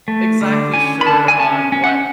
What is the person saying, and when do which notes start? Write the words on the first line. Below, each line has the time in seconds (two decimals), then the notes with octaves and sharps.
exactly sure on what
0.08 A3
0.41 D3
0.74 C#4 G#5
1.01 B5
1.07 D3 A5
1.28 G#5
1.40 C#4 A5
1.72 C#4
1.84 F#5